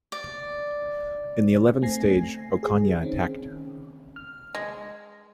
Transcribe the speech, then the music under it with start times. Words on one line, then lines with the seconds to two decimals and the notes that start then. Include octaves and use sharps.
In the eleventh stage, Ocana attacked.
0.12 D5
1.82 A3 C4 G#5 G#6 A#6 C7
2.63 G#4
3.01 D#3 C4 C#4
4.16 F6
4.55 G#3